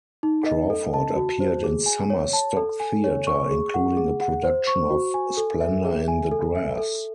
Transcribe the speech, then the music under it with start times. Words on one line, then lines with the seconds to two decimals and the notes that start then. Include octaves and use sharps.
Crawford appeared in summer stock theatre, including a production of "Splendor in the Grass".
0.23 D#4
0.46 D#5
0.70 A4
0.94 A5
1.16 F#4
1.40 C5
1.64 G#4
1.86 G#5
2.10 C#5
2.33 A5
2.57 A4
2.80 G#5
3.04 C#5
3.27 C#6
3.51 G#4
3.74 F#5
3.97 G#4
4.21 F#5
4.44 C5
4.67 C#6
4.90 F#4
5.14 G#5
5.37 A4
5.61 E5
5.85 G#4
6.08 G#5
6.31 A4
6.55 E5
6.78 A4